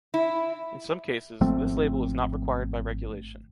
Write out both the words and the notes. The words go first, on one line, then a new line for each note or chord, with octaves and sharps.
In some cases,this label is not required by regulation.
E4
G#1 F3 A3 C4